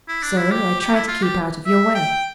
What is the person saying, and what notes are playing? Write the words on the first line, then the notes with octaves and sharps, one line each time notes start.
So I tried to keep out of your way.
E4
D4
E4
G4
G4
E4
F4
G4
E5
G5